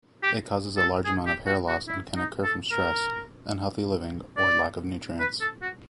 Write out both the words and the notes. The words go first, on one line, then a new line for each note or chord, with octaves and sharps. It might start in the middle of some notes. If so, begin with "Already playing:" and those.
It causes a large amount of hair loss and can occur from stress, unhealthy living or lack of nutrients.
G4
A4
G#4
G4
F#4
F#4
E4
D#4
A4
A#4
D5
B4
A4
F#4